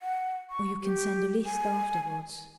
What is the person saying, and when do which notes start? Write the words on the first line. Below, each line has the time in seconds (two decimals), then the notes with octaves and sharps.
Or you can send a list afterwards.
0.01 F#5
0.50 C#6
0.82 G4
1.45 G#5